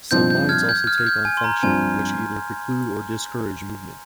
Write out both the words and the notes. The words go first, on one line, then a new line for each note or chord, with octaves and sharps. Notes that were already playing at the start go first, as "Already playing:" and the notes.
Some Minds also take on functions which either preclude or discourage movement.
G2 F3 C4 D#4 G6
G6
F6 G#6
G6
F6 G#6
F6
G6
G#5
C6
A#5
G2 F3 C4 G#5